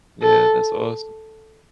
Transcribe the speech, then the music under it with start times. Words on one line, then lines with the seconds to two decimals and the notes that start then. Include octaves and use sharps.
Yeah, that's awesome.
0.22 A4